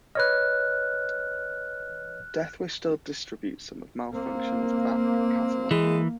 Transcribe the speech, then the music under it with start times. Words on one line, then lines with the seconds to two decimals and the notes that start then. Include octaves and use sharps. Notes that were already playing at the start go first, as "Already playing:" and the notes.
Deathwish still distributes some of Malfunction's back catalog.
0.15 B4 C#5 D#5 F6 F#6
4.14 A#3 C4
5.71 E3 G#3